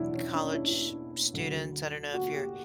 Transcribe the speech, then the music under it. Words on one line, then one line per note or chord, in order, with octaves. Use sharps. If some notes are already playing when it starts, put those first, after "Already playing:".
college students I don't know if you're,
Already playing: E2 B2 F#3 D4 E4
C#4
D4
E4
D2 D3 F#3
F#4
G4